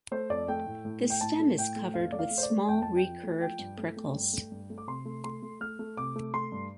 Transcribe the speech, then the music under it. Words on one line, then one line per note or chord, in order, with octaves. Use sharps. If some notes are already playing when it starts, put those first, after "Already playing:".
The stem is covered with small recurved prickles.
A3 C5
F2 D5
A3 G5
A2
A2
A3
G5
A2 A5
A3
A2 G5
A3
F2 F5
A3 D5
F5
A3
C5
D5
A3
F2 G5
F2 A5
G5
F3
A3
F3 G5
G2
A3
A3
G2
A3
G2
A3
D6
C3 C6
A3
A3 C6
A3
A3 F6
A3
C3 D6
A3
A3 C6
G2